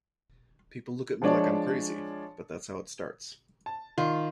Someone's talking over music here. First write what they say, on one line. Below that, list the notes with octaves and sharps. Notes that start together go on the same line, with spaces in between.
People look at me like I'm crazy, but that's how it starts.
F3 G#3 D4 C#5 D5
A5
D#3 F4